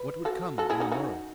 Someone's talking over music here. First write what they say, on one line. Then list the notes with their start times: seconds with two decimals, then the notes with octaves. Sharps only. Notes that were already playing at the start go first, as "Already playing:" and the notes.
What would come on the morrow?
Already playing: B4
0.25 F#4 A4
0.58 F#4 A4
0.70 E4 G#4
0.80 D#4 F#4
0.92 D#4 F#4